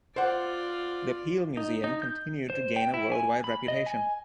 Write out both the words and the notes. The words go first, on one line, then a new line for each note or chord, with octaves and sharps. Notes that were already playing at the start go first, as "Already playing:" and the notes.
The Peale museum continued to gain a worldwide reputation.
F4 C5 D5 F#5
D#4
D#4
G6
C5
G5
E4
G#5
B5
D#5
G#5